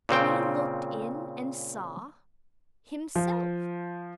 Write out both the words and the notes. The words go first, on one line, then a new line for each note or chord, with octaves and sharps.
Then he looked in and saw--himself.
A#2 C#3 C4 G5
F3